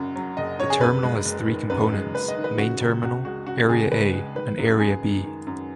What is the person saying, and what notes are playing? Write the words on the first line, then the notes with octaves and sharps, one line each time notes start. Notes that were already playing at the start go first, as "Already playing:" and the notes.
The terminal has three components, Main Terminal, Area A and Area B.
Already playing: F#1 F#2 C#3
F#3
F#1 D#5
C#3 C#5
G#4
F#2 B4
G#3
F#1
D#3
F#2 B4
G#3
F#1 B4
D#5
D#3
B4
C#3 F#4
C#2
C#2 F#4
G#3 F#4
C#3 F#4
C#2 G#4
C#2 B4
G#3
D#3 B4
F#2
F#2 G#4
G#3
D#3
F#2